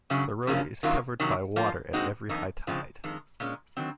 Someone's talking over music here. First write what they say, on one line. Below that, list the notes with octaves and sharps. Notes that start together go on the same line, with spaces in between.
The road is covered by water at every high tide.
F#2 C#3 F#3
F#2 C#3 F3 A#3 C#4
F#2 D#3 F#3 A#3 F4
F2 C3 D#3 F#3
F3 A#3 F4
A#2 G#3 C4 D#4 F#4
F2 D#3 A#3 D#4
F#2 C#3 F3 G#3 C4
F2 D#3 G#3
A#2 G#3 C#4
D#3 F#3 C4